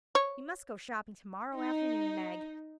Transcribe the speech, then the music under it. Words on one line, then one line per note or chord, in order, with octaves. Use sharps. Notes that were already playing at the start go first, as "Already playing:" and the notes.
We must go shopping tomorrow afternoon, Meg.
C#5
D#4